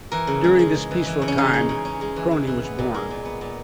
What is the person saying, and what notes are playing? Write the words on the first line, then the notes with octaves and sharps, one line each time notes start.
During this peaceful time, Kroni was born.
E3 A#4
C#3
G#3
G#3
G#3
E3
E3
C#3
C#4
E3 D#4
G#3
C#3
C#4
G#3
E3
E3
E3
B3
A#2
G#3
A#2
B3
A#2